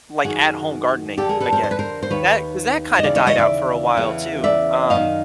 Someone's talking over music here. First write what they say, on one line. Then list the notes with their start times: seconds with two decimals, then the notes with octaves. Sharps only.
like at home gardening again, 'cause that 'cause that kinda died out for a while too, um
0.24 F#2 D#3 F#4 G#4
1.17 F2 D3 G4 A4
1.29 G#4 A#4
1.40 A4 B4
1.52 A#4 C5
1.63 C5
1.71 B4
1.79 A#4 C5
2.03 C5
2.10 D#2 D#3 B4 C#5
2.99 D#5
3.03 D#2 C#3 E3 D5
3.15 C#5 D#5
3.26 C#5 D#5
3.38 D5 E5
3.97 E2 C#3 E3
4.44 D5 E5
4.90 F#2 D#3 D#5 F5